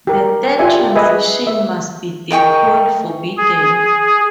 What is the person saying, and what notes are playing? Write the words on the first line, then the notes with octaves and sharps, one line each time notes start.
The third transition must be dipole forbidden.
G4 A#4
F4 G4 D5 E5 G#5
G4
G#4 B4 D#5 E5 G#5
E5
A#4 D#5 G5 C#6
G#4